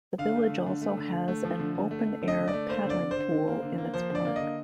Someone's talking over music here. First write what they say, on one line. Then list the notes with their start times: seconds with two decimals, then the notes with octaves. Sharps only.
The village also has an open-air paddling pool in its park.
0.18 D3 F5
0.35 A3
0.50 D3
0.66 D3
0.82 A3
0.97 D3
1.12 D3
1.28 A3
1.45 F3
1.59 D3
1.75 D3
1.91 A3
2.06 A3
2.22 D3
2.28 D#5
2.38 D3
2.48 D5
2.53 A3
2.69 A#3 C5
2.84 D3
2.90 D5
3.01 D3
3.11 C5
3.16 D3
3.32 D3
3.48 A#3
3.62 D3
3.78 A#3
3.94 F3 C5
4.10 D3 D5
4.25 A#3
4.36 D3 D#5